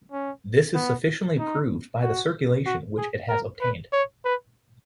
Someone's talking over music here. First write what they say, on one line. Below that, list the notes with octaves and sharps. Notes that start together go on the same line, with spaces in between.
This is sufficiently proved by the circulation which it has obtained.
C#4
B3
D#4
F#4
F#4
G#4
A#4
B4
C#5
B4